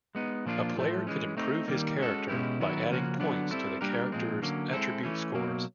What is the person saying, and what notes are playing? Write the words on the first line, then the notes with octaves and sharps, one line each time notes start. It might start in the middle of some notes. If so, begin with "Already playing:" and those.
A player could improve his character by adding points to the character's attribute scores.
G#3 B3 D#4
A#2 F3 A#3 D4 F4
A2 F3 A3
E3 G#3 C#4
A3 C4 D#4
D#3 G3 A#3
G#3 C#4 F#4 A4
B2 G#3 C#4 E4 G4
D#3 F#3 B3 E4
C#3 F3 A#3 C#4 F#4
D3 F#3 B3 D4
G3 C4 E4 A4
G3 A#3 D4 G4 A#4
A#2 F3 G#3 C4
D3 F#3 A#3 C#4
G#3 C4 E4 A4
E3 A3 C#4
B2 F#3 A#3